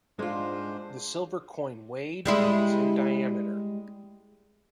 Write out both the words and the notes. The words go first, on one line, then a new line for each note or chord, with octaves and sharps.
The silver coin weighed and was in diameter.
G#2 G#3 D4 F4 C5
G3 G#3 E4